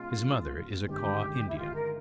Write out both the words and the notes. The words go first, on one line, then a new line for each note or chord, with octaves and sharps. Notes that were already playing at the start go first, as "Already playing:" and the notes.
His mother is a Kaw Indian.
Already playing: B2 G#3 C#4 F4
G1 G2 D#3 G#3 C#4 G4
E4
F4
A#4